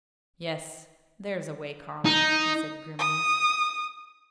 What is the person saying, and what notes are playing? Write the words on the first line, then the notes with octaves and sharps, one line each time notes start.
"Yes, there's a way, Carling," he said grimly.
D#4
D#6